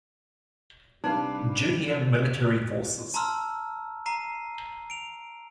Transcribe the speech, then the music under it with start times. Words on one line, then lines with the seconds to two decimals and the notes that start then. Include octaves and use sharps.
Junior Military Forces.
1.04 C3 G3 D4 D#4 B4 F5
3.14 A5 A#5 C6 E6 F6
4.06 A#5 C7 D#7
4.90 D7 F7